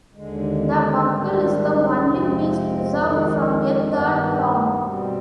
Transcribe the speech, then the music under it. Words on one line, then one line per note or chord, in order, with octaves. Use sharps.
The buckle is the only piece preserved from a third tomb.
D#2 D3 G#3
G#2 D#3 G3 D4
C3 F3 G#3 C4
F2 D#3 G#3
G2 D#3 B3
B2 G3 C4